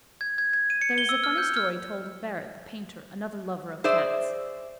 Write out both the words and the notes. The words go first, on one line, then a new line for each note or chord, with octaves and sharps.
There is a funny story told of Barrett, the painter, another lover of Cats.
G#6
G#6
G#6
D#7
C#7
G7
E6
F6
G6
F6
G#4 C5 D5 E5